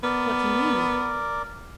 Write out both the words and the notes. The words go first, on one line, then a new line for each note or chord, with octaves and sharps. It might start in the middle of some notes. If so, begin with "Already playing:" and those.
"What do you mean?"
B3 A#4 D5